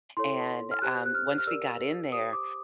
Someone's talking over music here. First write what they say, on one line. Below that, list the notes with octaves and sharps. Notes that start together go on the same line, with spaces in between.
and, um, once we got in there,
E4 A4 C#5 C6
F6
G4 C5 F#6
F#6
F6
F6
G4 A#4 D5 E6
G4 C5 D#6
D6